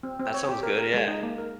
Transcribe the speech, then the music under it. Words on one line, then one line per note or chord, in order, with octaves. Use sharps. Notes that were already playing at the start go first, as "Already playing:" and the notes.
That sounds good, yeah.
C4
C4
C#5
G4
A#4
A#4
G#3
D#4
A#3
A#4